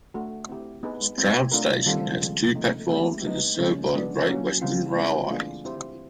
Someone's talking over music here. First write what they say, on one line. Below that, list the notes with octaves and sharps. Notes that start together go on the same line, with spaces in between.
Stroud station has two platforms and is served by Great Western Railway.
A3 D4 F#4
C4 E4 G4
B3 D#4 G#4 B4
G#3 C4 E4
A3 D4 F4 A#4
D#3 G3 C4 F4 A4
C#3 F3 G#3
F3 A3 C4 D#4
A3 C4 E4 G4
G3 B3 D#4
C#3 F3 G#3 C#4
G#3 B3 D4
F#3 A#3 C#4
C#3 E3 G3 C4 F4
G#3 C4 F4 G#4 B4
E3 A3 D4 F4 G#4
C4 E4 G4 C5